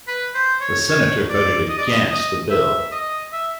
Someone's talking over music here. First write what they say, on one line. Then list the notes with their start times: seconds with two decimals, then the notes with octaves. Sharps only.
The senator voted against the bill.
0.07 B4
0.34 C5
0.61 C#5
0.88 C#5
1.29 D5
1.69 D#5
1.78 D5
1.86 D#5
2.10 D#5
2.50 E5
2.92 D#5
3.32 E5